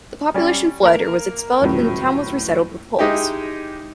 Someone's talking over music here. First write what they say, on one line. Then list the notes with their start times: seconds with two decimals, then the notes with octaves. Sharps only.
The population fled or was expelled and the town was resettled with Poles.
0.34 G3 C#4 D5
0.83 A#3 A#4
1.62 D#1 C#2 A2 F#3
2.99 G#3 D#4 E4 G4